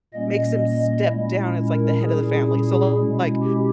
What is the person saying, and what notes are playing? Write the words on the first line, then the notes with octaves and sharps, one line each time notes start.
makes him step down as like the head of the family, so, like,
A#2 G3 A#3 C#4 D#5
A#2 G#3 C#4 E4
A#4
A#2 G3 C#4 E4 G#4
G#4
B2 G#3 C#4 E4
G4